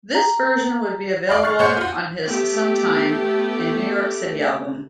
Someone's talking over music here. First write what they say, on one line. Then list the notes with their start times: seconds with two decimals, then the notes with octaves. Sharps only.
This version would be available on his "Some Time in New York City" album.
0.15 A#5
1.29 D5 F5 B5
1.43 C#6 F6 F#6 A6 C7
1.59 A#2 C5 C#5 F#5 G6
1.77 F4 F#4
2.24 A3 B3 G4